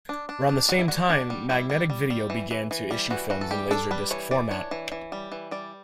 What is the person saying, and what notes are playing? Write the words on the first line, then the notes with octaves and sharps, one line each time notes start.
Around the same time, Magnetic Video began to issue films in laserdisc format.
D4
D4
D4
G3 F#4
E4
G3 F#4
D4
G3
G3 E4
G3
G3
G3
E3
E3
E3
G3
E3 F#4
E3 F#4
A4
G3 G4
D4 A4
G3 B4
E3 C#5
E3 D5
D4 C#5
E3
E3
G3
E3
G3 D5